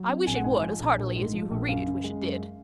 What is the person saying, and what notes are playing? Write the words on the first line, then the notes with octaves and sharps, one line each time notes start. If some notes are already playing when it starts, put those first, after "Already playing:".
I wish it would as heartily as you who read it wish it did.
Already playing: F#3
C4
A#1 G#5
F#5
G#2 G#5
F3
A#1
A#1
G#2
F3
A#1
F#2 F5
C#3
G#3
F#2